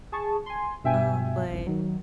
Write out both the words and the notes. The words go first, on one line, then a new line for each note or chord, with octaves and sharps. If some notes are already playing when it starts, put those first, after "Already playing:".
um, but
G#4 A5 C#6
G#5 C6
G2 B2 E5 G5 G#5
G1 C2
D#3 F#3